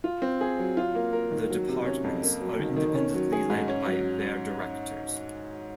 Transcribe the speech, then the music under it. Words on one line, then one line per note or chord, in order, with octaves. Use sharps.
The departments are independently led by their Directors.
F4
C4
G#4
F#3
F4
A#3
A#4
D#3
F#3
C3
C#4
F2
A#3
F#3
D#3
D#3
C#4
F#3
G#4
G#2
C#4
F#3